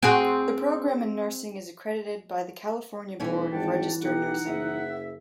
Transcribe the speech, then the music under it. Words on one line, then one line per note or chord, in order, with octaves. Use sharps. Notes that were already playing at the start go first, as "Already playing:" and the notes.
The program in nursing is accredited by the California Board of Registered Nursing.
C4 F#4 G#4
B1 E3 G3 C#4
G#1 F#5 G5 A5
B1 D#4 G4 F#5
F#1 E5